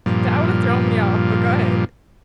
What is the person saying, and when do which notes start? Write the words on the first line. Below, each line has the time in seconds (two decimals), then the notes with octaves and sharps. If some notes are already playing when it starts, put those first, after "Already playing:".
That would have thrown me off, but go ahead.
0.06 G2 A#2 F3